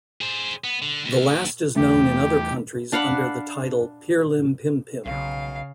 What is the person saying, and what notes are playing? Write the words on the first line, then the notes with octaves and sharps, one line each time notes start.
The last is known in other countries under the title "Pirlimpimpim".
G#4 C5
B3
D3
D#2
E2 A3 G4
D4 F5 F#5 B5
B1 C#3 F5